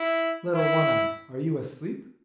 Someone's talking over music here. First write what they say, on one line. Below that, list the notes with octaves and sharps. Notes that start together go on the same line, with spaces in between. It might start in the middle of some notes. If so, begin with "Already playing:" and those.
Little One-eye, are you asleep?'
Already playing: E4
E4